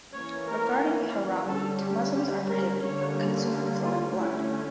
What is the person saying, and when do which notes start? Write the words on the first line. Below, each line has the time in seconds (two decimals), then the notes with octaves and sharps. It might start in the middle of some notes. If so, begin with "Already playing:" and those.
Regarding haram meat, Muslims are prohibited from consuming flowing blood.
0.14 E3 A#3 C#4 C#5
0.47 A#4
1.48 D3 G3 C#4 A4
1.81 G4
2.15 G4
2.49 A#4
2.82 D3 G3 A#3 C#4 C#5
3.83 F4
4.16 D3 A3 C#4 E4